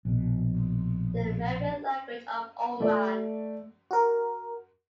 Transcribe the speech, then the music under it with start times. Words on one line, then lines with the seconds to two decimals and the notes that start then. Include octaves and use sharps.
"The Mehri Language of Oman".
0.05 A#1 B2
2.80 A3 D5
3.91 F#4 A#4